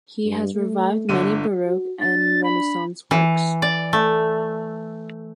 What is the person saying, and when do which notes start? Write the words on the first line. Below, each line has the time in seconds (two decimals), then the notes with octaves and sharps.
He has revived many baroque and renaissance works.
0.25 G2
0.54 A3
1.09 G1 D3 D#7
1.67 F#4
2.01 D4 A6
2.44 B5
3.11 E3
3.62 D5
3.93 A3